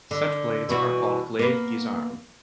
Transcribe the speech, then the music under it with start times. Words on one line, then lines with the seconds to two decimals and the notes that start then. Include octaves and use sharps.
Such blades are called glaive-guisarmes.
0.11 D3
0.69 B2 E3 F#4
1.39 A#3 B3